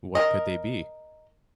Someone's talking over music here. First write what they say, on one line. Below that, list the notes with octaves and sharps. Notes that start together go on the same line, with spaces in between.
What could they be?
A#4 D#5